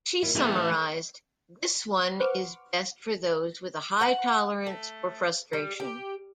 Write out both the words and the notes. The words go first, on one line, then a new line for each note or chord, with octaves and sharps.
She summarized, This one is best for those with a high tolerance for frustration.
D#2 E4 F4
E3 A3 B3 G#4
A4 C#5
B4 C5 F#5 C#6 D6 F6
F#5
A3
G3
G4